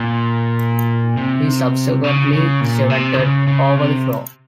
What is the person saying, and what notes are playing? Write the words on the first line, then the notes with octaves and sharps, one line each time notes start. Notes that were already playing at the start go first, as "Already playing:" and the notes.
He subsequently cemented over the floor.
Already playing: A#2
C3
C#3
C#3
A#2
C3
D#3
C#3
C#3
C3